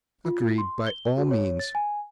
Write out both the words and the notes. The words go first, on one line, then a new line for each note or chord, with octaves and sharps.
"Agreed, by all means."
F4
C6
G7
F#4
C#5
A6
G#5